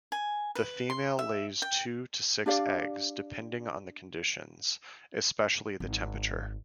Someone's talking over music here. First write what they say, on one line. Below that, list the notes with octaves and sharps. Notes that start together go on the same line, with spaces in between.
The female lays two to six eggs, depending on the conditions, especially the temperature.
G#5
B4
C6
E5
G5
D4 G4 D5 F5
G#1